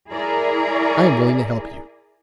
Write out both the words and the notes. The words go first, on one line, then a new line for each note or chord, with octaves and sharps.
I am willing to help you.
E4 G#4 A#4 D5